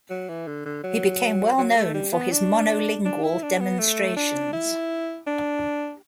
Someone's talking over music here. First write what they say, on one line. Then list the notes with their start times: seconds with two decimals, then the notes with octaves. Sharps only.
He became well known for his "monolingual demonstrations".
0.10 F#3
0.28 E3
0.47 D3
0.65 D3
0.84 F#3
1.58 F#3
1.76 A3
1.94 G3
2.13 B3
2.31 D4
3.05 D4
3.23 E4
3.42 D4
3.60 B3
3.79 A3
4.16 D4
4.53 E4
5.27 D4